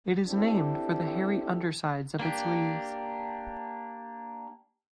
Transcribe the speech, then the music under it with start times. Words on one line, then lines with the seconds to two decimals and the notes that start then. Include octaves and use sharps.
It is named for the hairy undersides of its leaves.
0.26 C4 D4 E4 G4 A4
2.19 A#3 D4 G4